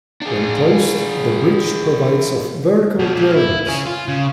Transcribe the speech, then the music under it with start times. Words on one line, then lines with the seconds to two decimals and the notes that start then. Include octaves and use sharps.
When closed the bridge provides of vertical clearance.
0.22 D4 G#4
2.99 B2 F3
3.15 A#2 F3
3.35 E4
3.67 C#4 G#4
3.86 F4
4.08 C#3